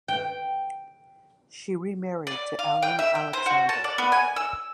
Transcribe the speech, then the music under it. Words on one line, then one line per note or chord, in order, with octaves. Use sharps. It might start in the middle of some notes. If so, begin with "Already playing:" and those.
She remarried to Allan Alexander.
G5
D5
F5
G5
E5
G5
C5
F#4
A5
D5
B3
G#5
E6